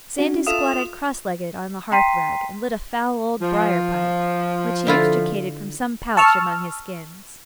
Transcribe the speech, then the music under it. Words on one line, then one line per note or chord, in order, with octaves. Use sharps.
Sandy squatted cross-legged on the hearthrug and lit a foul old briar pipe, which he extricated from some pouch among his skins.
C#4 D4 F#4
F4 A4 E5 F5 D#6 E7
G5 A#5 C6 B6 C7 D#7
F3
D3 E4 F4
A5 C#6 E6 F6